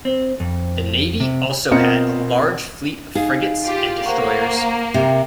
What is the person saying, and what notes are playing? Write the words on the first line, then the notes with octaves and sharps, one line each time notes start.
The navy also had a large fleet of frigates and destroyers.
C4
F2
C3
B2 C4 F4 A#4 D#5 C#7
D#4 G#4 F5
F4 G4
A#3 C5 F#5 C#6
C3 G5